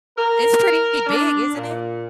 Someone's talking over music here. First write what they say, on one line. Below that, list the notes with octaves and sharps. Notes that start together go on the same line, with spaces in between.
It's pretty big, isn't it?
A#4
D4
A#2